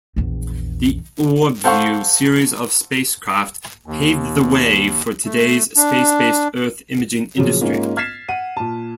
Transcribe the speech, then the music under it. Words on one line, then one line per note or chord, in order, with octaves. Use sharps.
The OrbView series of spacecraft paved the way for today's space-based Earth imaging industry.
A#1 E2
A4 C5 F5 F#5 C#6
D#2
A3
D4
A#2 C#3 F3 F#3
G#2 A#3 C#4 F4
F6 G#6 A6 B6 C7 E7
F#5 D#7
A#2 A5